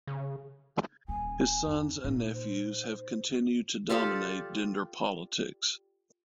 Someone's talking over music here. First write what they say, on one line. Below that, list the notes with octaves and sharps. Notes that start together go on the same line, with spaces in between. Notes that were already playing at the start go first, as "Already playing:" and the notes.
His sons and nephews have continued to dominate Dinder politics.
C#3
D#1 C#4 G#5
E2 D#4
A#2 A#3 D#4
C5
F4 G4 A4 D5